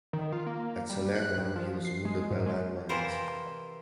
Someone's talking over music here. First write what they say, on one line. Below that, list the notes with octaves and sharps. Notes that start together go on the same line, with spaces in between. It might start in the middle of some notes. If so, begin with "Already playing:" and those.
At Salerno he was wounded by landmines.
D#3
F4
A#3
G3
F#6
G2
F3
C7
G#3
G#2
G#3
C3 E3 E4 F4 A#4 C5